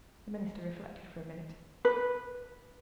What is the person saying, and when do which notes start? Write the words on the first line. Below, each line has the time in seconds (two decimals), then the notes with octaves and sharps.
The minister reflected for a minute.
1.85 B4